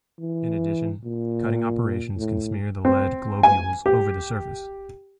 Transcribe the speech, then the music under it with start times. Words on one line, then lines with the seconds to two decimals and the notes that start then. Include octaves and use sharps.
In addition, cutting operations can smear the lead globules over the surface.
0.19 E3
1.04 A#2
2.17 A2
2.85 C4
3.43 G#5
3.86 G4